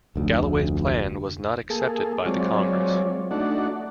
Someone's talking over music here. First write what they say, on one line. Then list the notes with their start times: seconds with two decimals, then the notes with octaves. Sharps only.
Galloway's plan was not accepted by the Congress.
0.16 F1 D2
1.70 A#3 G#4 A4
2.25 F#3 G#3 C4 F4 C#5 D5
3.31 A3 D4 D#4 F#4 D5 F#5